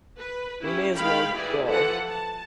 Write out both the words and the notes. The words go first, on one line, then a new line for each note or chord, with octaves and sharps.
we may as well go,"
B4
C#4 E4 G4
D#3 G#3 F5 G5 B5
E3 E4 G4 G#4 D5
E3 F3 A4 F#5
A5